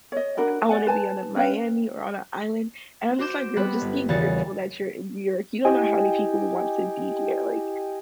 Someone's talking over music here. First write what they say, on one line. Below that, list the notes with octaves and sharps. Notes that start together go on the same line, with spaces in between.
I wanna be out in Miami or on an island." And I'm just like, "Girl, just be grateful that you're in New York, you don't know how many people want to be here." Like,
C#5 D#5
D4 F#4 A#4 B5
D5 F#5 G#5
B4 G#5 A5
C#4 B4 F5 G5
F#4 C5 D6 G6 E7
G3 B3 C4 F#5 B5
G1
D#1 E2 C#3 F#4 A6 C#7
E4 G4 D#5 G5 G#5